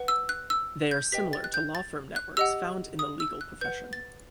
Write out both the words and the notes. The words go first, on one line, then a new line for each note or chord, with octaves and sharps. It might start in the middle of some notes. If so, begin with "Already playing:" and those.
They are similar to law firm networks found in the legal profession.
Already playing: B4 F#5
E6
F#6
E6
G6
G4 B4 D#5 G5 B6
A6
F#6
G6
A6
F#6
G4 D#5 F#5 E6
D#6
E6
F#6
B4 F#5 G6
A6